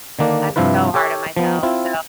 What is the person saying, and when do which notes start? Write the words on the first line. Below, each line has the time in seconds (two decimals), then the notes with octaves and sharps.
I'm so hard on myself, so
0.19 D3 D#3 A#3 D4
0.56 G2 C3 F3 E4 F4 B4
0.94 G4 A4 C#5
1.37 F3 B3
1.63 C4 E4 F4